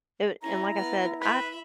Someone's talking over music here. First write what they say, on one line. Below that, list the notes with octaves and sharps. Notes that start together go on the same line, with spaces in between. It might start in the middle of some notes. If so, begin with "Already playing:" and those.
It w and like I said, I
C#4 E4 A#5
B3 F6
B4 E5 B5